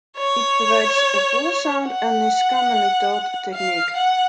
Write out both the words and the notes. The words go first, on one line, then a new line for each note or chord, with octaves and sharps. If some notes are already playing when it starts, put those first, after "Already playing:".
It provides a fuller sound and is a commonly taught technique.
C#5
F#5
F5
F#5